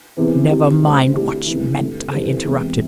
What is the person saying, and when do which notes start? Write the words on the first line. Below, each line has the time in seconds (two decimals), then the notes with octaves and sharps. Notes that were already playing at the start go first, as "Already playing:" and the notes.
"Never mind what you meant!" I interrupted.
0.17 E2 C3 E3 C4
0.49 C3 G3 E4 G4
0.81 D2 D3 G3 C4
1.14 D2 D3 G3 E4 G4
1.46 E2 C3 E3
1.78 G2 D3 A3
2.11 G2 E3 G3 C4 A4
2.44 E1 E2 C3 E3